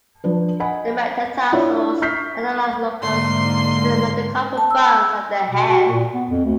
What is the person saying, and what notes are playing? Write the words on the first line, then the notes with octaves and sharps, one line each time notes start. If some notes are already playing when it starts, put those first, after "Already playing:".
The metatarsals are analogous to the metacarpal bones of the hand.
F3 D4 B4
D#5 F#5 G#5 B5
D4 E4 F4 C#5
C#6 F6 G6 B6 C7
G#2 D3 A#3 C6
A5
E6
B2
F#4
A#2
B3
F2
D2